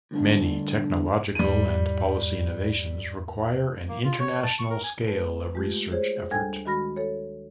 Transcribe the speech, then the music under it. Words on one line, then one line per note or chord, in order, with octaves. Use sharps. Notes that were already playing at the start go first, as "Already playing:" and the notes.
Many technological and policy innovations require an international scale of research effort.
D2 G2 D3
E2 G#2 G3 D#7
A#3
F4
C#5
A5
C#6
A#4
G#5
A3 B4
G#3 A3 F4 G4
G#4 C5 C#5
D2 G3 A4 G5 G#5 G#6
D#3 G#3 F#4 B5 F6 A#6
A4 C#5